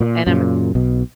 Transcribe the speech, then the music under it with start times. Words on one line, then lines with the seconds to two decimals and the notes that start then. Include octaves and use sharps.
and I'm a
0.01 A#2
0.27 F#2 A#2 C#3
0.75 B1 B2